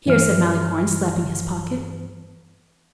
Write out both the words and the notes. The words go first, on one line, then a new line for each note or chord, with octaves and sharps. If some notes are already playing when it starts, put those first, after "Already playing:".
"Here," said Malicorne, slapping his pocket.
G2 E3 F6